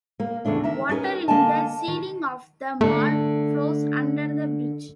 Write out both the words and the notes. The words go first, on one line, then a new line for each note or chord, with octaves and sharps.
Water in the ceiling of the mall flows under the bridge.
A#3
E2 C#3 A3 D4 E4
D#3 E5 A#5
C#4 D#4 G#4 A#4 B4
D3 A#3 G4 D#5 G#5 A5
D#3
D3 A3 A4